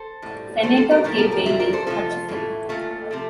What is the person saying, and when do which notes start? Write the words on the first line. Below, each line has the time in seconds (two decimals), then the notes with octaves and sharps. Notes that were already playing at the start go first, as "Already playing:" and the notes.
Senator Kay Bailey Hutchison.
Already playing: A4 C5
0.22 A2 G3
0.63 A#2 A3 A4 C5
0.77 A4 C5
0.90 G4 A#4
1.04 A2 F3 A3 G4 A#4
1.18 G4 A#4
1.31 G4 A#4
1.46 A#2 G3 C5 E5
1.59 A#4 D5
1.73 A4 C5
1.86 C3 F3 A3 F4 A4
2.28 A2 E3 A3
2.69 A#2 A3 F4 A4
3.11 C3 F3 A3